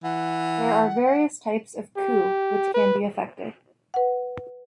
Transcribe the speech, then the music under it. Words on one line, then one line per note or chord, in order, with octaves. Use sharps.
There are various types of coup which can be effected.
E3 F#5
G4
B4
B4 F#5